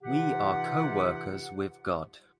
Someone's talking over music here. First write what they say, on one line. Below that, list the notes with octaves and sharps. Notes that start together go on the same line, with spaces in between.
We are co-workers with God.
C3 E3 D#4 F4 G4 F#5